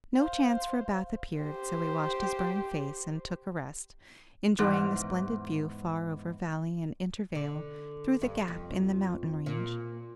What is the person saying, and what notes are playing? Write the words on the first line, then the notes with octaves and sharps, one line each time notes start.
No chance for a bath appeared, so he washed his burning face and took a rest, enjoying the splendid view far over valley and intervale through the gap in the mountain range.
C5 F5
G4 C5
E2 G#2
D3
G2
F2
A#2